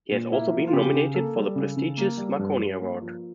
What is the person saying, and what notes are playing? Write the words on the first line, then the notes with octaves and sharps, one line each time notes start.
He has also been nominated for the prestigious Marconi Award.
A#2
A#3 E4
F3
F4
C#3 G4
C#3
A#3 A4
G3
C#3
C#3
A#3
G3
G2
G2
A#3
F3